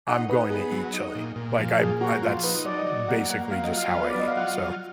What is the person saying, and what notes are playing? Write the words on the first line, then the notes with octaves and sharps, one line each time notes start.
I'm going to eat chili. Like, I'm I that's basically just how I eat, so,
D#4 F#5
D#4 B4
B3 G#4
F#3
D#4
A#2
A#2
F3
A#2 G#4
A#3 F#4
F3 F4
D#4 B4
F#3 D5
D#5
F#3 D5
A#3 F#5
A#3 F#5
F#3 F5
D#5
F4 F5
B3
B4
D5
F#3 D#5
F5
F4 F#5
F#3